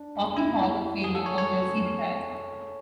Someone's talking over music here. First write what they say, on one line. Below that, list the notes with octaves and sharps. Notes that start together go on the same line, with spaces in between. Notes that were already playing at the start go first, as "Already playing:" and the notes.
Hockey Hall of Famer or jersey retired.
Already playing: D4
E4
G#4
A4
C#5
C#5